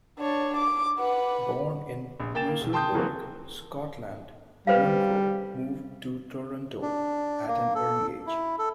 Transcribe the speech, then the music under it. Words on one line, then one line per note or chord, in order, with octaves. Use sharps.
Born in Musselburgh, Scotland, Munro moved to Toronto at an early age.
D4 C#5
D6
B4 F#5
A#1
A#3 G5 G#5 A6 E7
A#3
E1
G5 A5 C6 D#6 G6
C#3 E3 F#3 A#3 C4
G3 B4 C5 F5
D4
A#3
A4
E4
A4